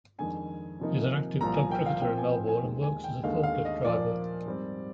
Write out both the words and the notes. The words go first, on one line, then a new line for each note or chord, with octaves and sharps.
He is an active club cricketer in Melbourne and works as a forklift driver.
F2 D#3 G#3 D4 G#5
C3 F3 A#3 D#4
C2 A#2 F3 A#5
G#5
G5
F5
A#2 F3 C4 G5
G#5
G5
G#5
D#2 D#3 G#3
G#5
G5
D#2 D3 G#3 D#4 F5
F5
D#5
A#2 F3 A#3 D5
G#2 G3 C4